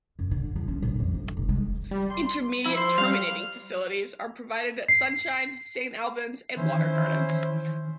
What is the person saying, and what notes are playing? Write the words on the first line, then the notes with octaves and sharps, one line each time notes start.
Intermediate terminating facilities are provided at Sunshine, Saint Albans and Watergardens.
F#2
D3
E2
C#4
A#1
F2
G1
F1
G#3
G3
C6
F3 E4
C5
G3 F5
C7
D#3 E3 C#4 E4 C5